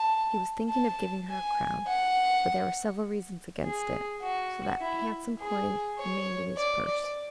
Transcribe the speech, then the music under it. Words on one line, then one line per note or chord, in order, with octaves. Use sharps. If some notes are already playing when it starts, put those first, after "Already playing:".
He was thinking of giving her a crown, but there were several reasons against it, so that handsome coin remained in his purse.
Already playing: A5
A5
G#5
F#5
G#4
F#4
E4
G#4
C#5
D5
D5